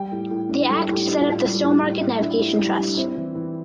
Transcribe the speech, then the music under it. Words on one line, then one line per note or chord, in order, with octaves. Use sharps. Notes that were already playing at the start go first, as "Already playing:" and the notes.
The Act set up the Stowmarket Navigation Trust.
Already playing: G3 G5
A2
A2
D4
G3 A4
A2
G4
D4
F4
A2
G3
A2
A2
A2
D4 E4
A2
G3
D4
C4 E4
E3
E3